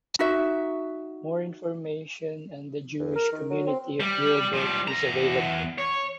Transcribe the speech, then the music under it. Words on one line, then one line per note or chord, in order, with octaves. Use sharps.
More information on the Jewish community of Yurburg is available.
D#4 F#4 E5
E2
A#4
D#3
F#3
C4
G3
F3 G3
E2 A#5
C#5